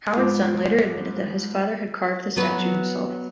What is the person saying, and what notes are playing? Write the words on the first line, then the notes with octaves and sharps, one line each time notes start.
Howard's son later admitted that his father had carved the statue himself.
G#2 F3 B3 C5 D6
F#3 B3 B4